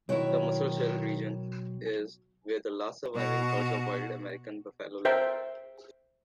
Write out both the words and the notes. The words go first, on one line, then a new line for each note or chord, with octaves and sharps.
The Musselshell region is where the last surviving herds of wild American buffalo lived.
B1 D#3 E4 F#4 C#5 G5
B2 F#4
A#4 C5 E5 G5